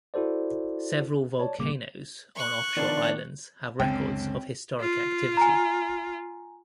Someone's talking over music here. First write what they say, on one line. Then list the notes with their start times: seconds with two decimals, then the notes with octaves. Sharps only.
Several volcanoes on offshore islands have records of historic activity.
0.14 E4 F#4 A4 C5 D5
1.39 C#5 D5 A5
1.59 G1 A#2 C#3 G3 A#3 D6
2.36 C#6 F#6
2.77 D#3 F3 B3 D4 D5
3.80 C#2 F#2 D3 C4 C#4 G5
4.80 F4
5.37 G#5 A#5